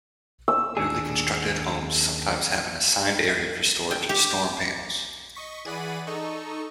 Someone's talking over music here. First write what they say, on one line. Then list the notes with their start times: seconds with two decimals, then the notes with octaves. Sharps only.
Newly constructed homes sometimes have an assigned area for storage of storm panels.
0.48 E6
0.77 D#2 D4 G#4
3.91 G5
4.09 G4
5.35 D#5 C#6 B6
5.65 E3 G#4 D5 F#5 B5 D#7
6.07 D#4 A4 D#5 C#6